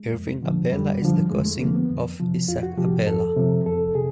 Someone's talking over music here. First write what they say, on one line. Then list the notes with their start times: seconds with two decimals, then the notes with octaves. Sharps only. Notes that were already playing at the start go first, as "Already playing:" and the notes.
Irving Abella is the cousin of Isaac Abella.
Already playing: G#3
0.13 F2
0.43 D3 F3
0.72 F2 G3
1.02 D3 F3
1.30 F2 G#3
1.45 A3
1.60 D3 F3 A#3
1.75 B3
1.90 F2
2.20 C3 F3
2.48 F2 F4
2.63 F#4
2.77 C3 F3 G4
3.07 F2 A4
3.36 C3 F3
3.66 F2 A4
3.95 C3 G#4